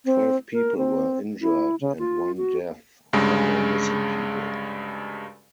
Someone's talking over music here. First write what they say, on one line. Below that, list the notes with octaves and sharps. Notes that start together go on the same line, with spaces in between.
Twelve people were injured and one death, but no missing people.
C4
A#4
C4
E4
C#3
F4
F#4
D2 G2 C#3 G#3